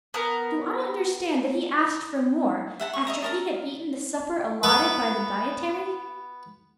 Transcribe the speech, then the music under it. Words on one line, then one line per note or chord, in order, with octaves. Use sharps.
Do I understand that he asked for more, after he had eaten the supper allotted by the dietary?'
B3 A#4
E5 F#5 A5 C6
C#6
D#5 E5 A#5
A4 A#4 A#5
B3 B4